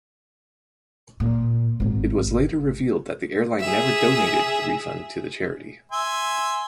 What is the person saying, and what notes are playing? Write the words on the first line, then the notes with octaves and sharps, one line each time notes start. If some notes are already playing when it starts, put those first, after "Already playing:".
It was later revealed that the airline never donated the refund to the charity.
A#2
G#1 D#3
G#4 E5
E5 G#5 C6